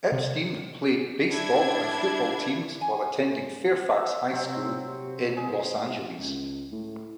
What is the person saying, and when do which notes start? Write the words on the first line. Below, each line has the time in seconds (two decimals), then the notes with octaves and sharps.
Epstein played baseball and football teams while attending Fairfax High School in Los Angeles.
0.12 C3
1.30 D4 E4 G#6
2.81 G#5
3.90 E5
4.30 C3 F#3 C4
5.37 G#4
6.19 C#2
6.72 A2